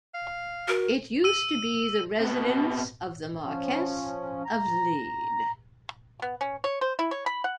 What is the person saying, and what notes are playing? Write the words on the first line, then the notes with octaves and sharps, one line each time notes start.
It used to be the residence of the Marquess of Lede.
F5
F#4 A#4
E6 D#7
C3 B3
F3 C#4
A#5
B3
C#4
C#5
C5
E4
C#5
B5
F#5